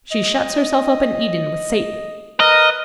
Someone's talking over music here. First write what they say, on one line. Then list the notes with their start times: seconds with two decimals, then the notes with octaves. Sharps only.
She shuts herself up in Eden with Satan.
0.11 D#5
2.40 A#4 B4 D#5